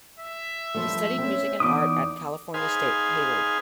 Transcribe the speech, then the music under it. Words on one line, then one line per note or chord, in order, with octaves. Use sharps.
He studied music and art at California State, Hayward.
E5
G2 F3 A3
C4 C#4
E2 D#4 D6 D#6
D#4 G#4 B4 C5 F5 G#5